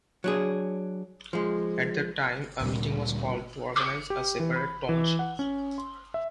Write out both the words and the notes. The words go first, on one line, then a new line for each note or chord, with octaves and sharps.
At that time a meeting was called to organize a separate township.
F#3 D4 G#4
F3 G#3
D2 A#2 G3
C#7
G4
E3
B5
E3
F#5
C#4
C6
E5